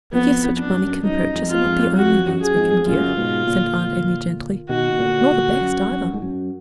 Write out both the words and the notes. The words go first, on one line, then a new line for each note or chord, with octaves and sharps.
"The gifts which money can purchase are not the only ones we can give," said Aunt Emmy gently, "nor the best, either."
F2 B3
F2
D4
F2
F#2
F#2 D#4
F2 G#2
F4
F2 G#2
F2 F#4
F#2
G#4
F2 G#2
G#2
F#2 A#2 F4
D3
G#2 B2
A#2 D3
B2 D#3 F#4
B2
A#2 D3
A#2 D3
F#2
F#2
G#2
F#2